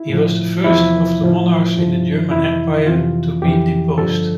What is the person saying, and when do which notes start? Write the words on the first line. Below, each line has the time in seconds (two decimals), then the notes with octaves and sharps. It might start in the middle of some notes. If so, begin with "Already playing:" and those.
He was the first of the monarchs in the German Empire to be deposed.
Already playing: E4
0.09 A2 F3
0.64 E2 C3 F3 E4
1.20 A2 F3
1.76 G2 F3
2.31 F2 C3 E3 E4
2.86 F2 C3 E3 F4
3.42 F2 E3 G4
3.98 G2 D3 F3 A4